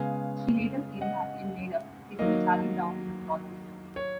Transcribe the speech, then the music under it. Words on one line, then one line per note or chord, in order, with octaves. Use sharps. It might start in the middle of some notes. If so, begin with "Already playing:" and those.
She later came back and made up, kissing Charlie Brown in the process.
Already playing: C#3 G#3 B3 F5 G#5
D#5 F#5
D#3 F#3 A#3 D#5
C#5